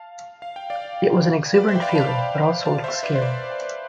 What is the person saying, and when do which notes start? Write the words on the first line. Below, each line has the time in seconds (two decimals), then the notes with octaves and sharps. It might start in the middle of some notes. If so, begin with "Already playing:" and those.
It was an exuberant feeling, but also a little scary.
Already playing: F5 A5
0.42 F5
0.56 G5
0.70 D5 F5
1.54 B4 D5
1.68 C5 E5
1.75 G5
1.82 D5 F5
1.89 B5
1.95 F5 A5
2.65 F5 A5
2.84 C5 E5
2.94 E5
3.03 B4 D5
3.16 C5
3.22 B4 D5